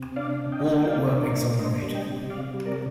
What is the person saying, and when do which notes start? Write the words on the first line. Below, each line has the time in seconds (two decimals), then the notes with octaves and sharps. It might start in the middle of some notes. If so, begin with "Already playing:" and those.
All were exonerated.
Already playing: C3
0.16 D4 D5 F5
0.40 D4
0.52 D#5 G5
0.64 A#3
0.76 G5
0.87 D4 D5 F5
1.11 D4
1.23 A#4 D5
1.35 A#3
1.59 D4 C5 D#5
1.83 G3
1.94 D#5 G5
2.06 C3
2.30 C3 D5 F5
2.54 G3
2.66 A#4 D5